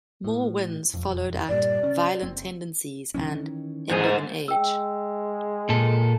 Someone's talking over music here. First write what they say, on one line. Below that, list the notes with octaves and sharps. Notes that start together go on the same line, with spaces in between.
More wins followed at "Violent Tendencies" and "End of an Age".
A2
E1 F2
G2 A#2 G3 D5
C3 C#4
F#1 C4
D#3 E3 C#4
G#2 G#4
G#3 G5 E6
A#2 A4